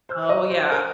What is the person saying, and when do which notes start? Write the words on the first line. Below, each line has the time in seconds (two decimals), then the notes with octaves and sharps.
Oh, yeah.
0.09 C5
0.29 D#5
0.50 C5
0.72 A#4